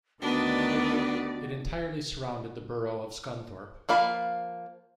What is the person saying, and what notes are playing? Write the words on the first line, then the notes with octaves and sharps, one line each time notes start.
It entirely surrounded the Borough of Scunthorpe.
D2 D#3 B3 D4 F#4 B4 D5
F3 A#3 F5 B5